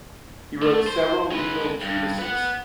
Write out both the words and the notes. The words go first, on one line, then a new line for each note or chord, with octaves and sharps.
He wrote several legal treatises.
A3
C5
G#3 B4
G2
B4 F#5